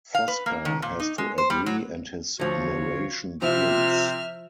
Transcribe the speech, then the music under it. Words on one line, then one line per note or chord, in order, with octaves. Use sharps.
Fosca has to agree and his narration begins.
F5
B4
A#3
D#3
A#2
D#4
G#3
C5
G3
F#3
D2 F3 F4 F#4 C#5
C3 F3 C4 E4 F4 E5 F6